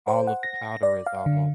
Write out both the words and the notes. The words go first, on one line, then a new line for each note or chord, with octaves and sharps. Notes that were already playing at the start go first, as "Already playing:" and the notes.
all of the powder is almost
C5
F#5
A#6
D5
F5
D3